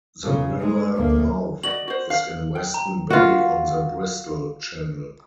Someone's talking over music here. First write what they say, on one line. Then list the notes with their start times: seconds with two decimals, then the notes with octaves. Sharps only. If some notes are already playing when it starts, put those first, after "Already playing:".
The river mouth is in Weston Bay on the Bristol Channel.
0.22 C#3
0.60 G#3
0.96 D2 A#3
1.63 F#4 D5 D#5 F#7
1.88 F#4 C5
2.10 F5
2.55 G5
2.74 A#5
3.10 F4 F#4